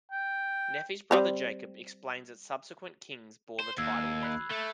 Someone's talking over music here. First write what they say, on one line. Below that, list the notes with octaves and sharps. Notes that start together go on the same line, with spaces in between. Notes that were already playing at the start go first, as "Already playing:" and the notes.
Nephi's brother Jacob explains that subsequent kings bore the title Nephi.
G5
G3 C4 A#5
C5
D#2 E6 G#6 C7
B5 F#6
A3